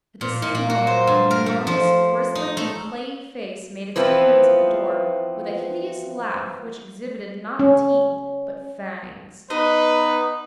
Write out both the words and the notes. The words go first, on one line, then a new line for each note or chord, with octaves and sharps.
At the same moment, an enormous, bristling, and clayey face made its appearance at the door, with a hideous laugh which exhibited not teeth, but fangs.
A#2
A#2
A#3
F#4
C5
G2
A#4
A3
F3
D#4
A3
E3 F3 B3 C4
C#4
B3 D#4 B4 D#5